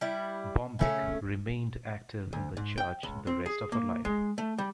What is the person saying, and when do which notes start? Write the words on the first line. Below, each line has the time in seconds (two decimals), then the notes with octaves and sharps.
Bombeck remained active in the church the rest of her life.
0.01 G3 E4
0.79 C#3 A3 C#4
2.33 D2
2.57 G#2
2.78 G5
3.03 C#2
3.27 C4
3.46 G#4
3.72 A#3
4.05 G#3
4.38 A3
4.58 G3